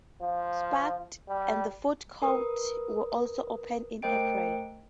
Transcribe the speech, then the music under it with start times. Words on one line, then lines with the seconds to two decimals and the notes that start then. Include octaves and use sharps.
Spiked and the food court were also opened in April.
0.22 F3
1.29 G3
2.22 A#4 B4 D#6
4.02 A3 A#4 C5 D#5 G5 D7